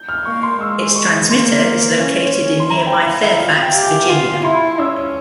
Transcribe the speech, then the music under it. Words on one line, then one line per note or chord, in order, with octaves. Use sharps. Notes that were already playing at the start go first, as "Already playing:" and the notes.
Its transmitter is located in nearby Fairfax, Virginia.
Already playing: G6
F6
A#3 C#6
C6
G#3 E6
C#6
A#3 C6
C#4
C6
E4 A#5
G5
F5
E5
F4 F5
G5
G4
G#5
F4 G#5
E4 C6
C#4 E6